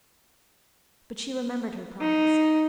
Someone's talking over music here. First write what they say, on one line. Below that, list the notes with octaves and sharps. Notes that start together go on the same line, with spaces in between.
But she remembered her promise.
D#4